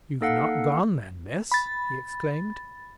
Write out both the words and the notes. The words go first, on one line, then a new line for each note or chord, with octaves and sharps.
"You've not gone, then, miss?" he exclaimed.
A#3 D#4 A4 F5 F#5
B5 A6